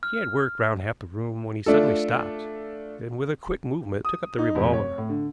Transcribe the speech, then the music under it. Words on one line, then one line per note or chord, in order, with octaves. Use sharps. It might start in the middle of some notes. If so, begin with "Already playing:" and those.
He had worked round half the room when he suddenly stopped, and, with a quick movement, took up the revolver.
F6
A3 D4 F4 A4
D#6
D#4
F1
C#5
A2
D3